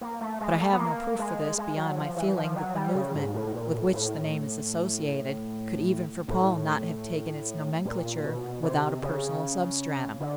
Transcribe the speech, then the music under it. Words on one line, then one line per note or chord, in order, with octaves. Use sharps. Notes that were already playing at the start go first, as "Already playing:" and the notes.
But I have no proof for this beyond my feeling that the movement with which the name is associated could even for Paul not have taken its nomenclature without a personal substratum.
A#3
A3
G#3
A3
B3
A#3
G#3
G#3
F#3
F3
E3
F3
F#3
G3
C#3
G#2
A2
A#2
A2
A2
A2
A#2
B2
C3
C#3
D3